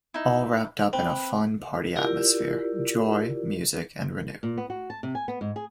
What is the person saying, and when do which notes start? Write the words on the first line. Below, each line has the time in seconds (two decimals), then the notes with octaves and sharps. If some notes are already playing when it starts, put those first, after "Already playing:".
All wrapped up in a fun party atmosphere, joy, music and renew.
0.14 D#4 E4
0.93 C4 B4
1.95 E4 F4 G4 A#4 D5
4.43 A#2
4.58 B3
4.70 F#4
4.90 A5
5.03 C3
5.15 G#5
5.28 B3
5.41 G#2
5.56 G#4